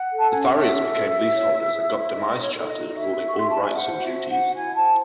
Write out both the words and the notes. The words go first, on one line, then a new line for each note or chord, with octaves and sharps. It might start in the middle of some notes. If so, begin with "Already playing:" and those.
The farriers became leaseholders and got demise charters ruling all rights and duties.
Already playing: F#5
A4
A5
C#4 G#5
F#5
C#5 E5
F#4
A4
F#4
C#5
E4
G#4
E4
D#4 D#5
D#4
C#5
A4
C#5
D#5
D#4
F#4 E5
F#4
C#6
F#4 C6
C5 A5
G#5
C5 F#5
F#4
E5
C5
F#5
F#4
E4 G#5
C5 A5